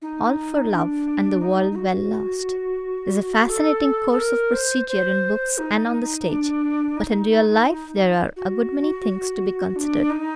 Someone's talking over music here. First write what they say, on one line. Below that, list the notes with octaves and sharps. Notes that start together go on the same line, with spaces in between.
"All for love, and the world well lost," is a fascinating course of procedure in books and on the stage, but in real life there are a good many things to be considered.
D#4
D4
D#4
D#4
F#4
A4
A4
A#4
C5
C5
D#4
D4
D#4
F#4
D4
D#4